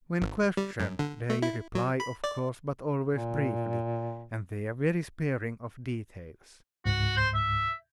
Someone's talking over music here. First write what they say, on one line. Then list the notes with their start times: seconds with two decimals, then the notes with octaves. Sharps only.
When questioned, they reply, of course, but always briefly; and they are very sparing of details.
0.22 G#1
0.57 G3
0.80 F#2
0.99 D3
1.30 A3
1.42 E4
1.75 F#3
2.00 B5
2.24 D5
3.13 A#2
6.86 C#2 G#2 F#4
7.17 C5
7.34 E5